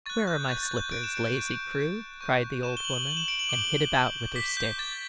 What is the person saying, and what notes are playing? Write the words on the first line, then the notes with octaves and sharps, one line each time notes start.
'Where are my slippers, lazy crew?' cried the old woman, and hit about with her stick.
C#6 F#6 A6
G6
C#6 F#6 A6
A6
G6
C#6 F#6 D7
E7
D7
C#6 F#6
C#6 G6
C#6 G6
C#6 G6 E7
G7
F#7
C#6 G6 F#7
E7
D7
F#7
D6 G6 G7
D6 G6
D6 G6 B6
G6
D6 G6 A6